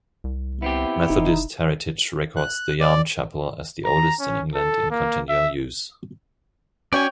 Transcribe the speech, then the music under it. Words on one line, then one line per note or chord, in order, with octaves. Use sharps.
"Methodist Heritage" records the Yarm chapel as the oldest in England in continual use.
C2
B3 C4 E4 G4
F1 D#4
F#6
D5
A#5
C#4
A4
A#3
E5
C#4 F#4 C#5 D5 G5 G#5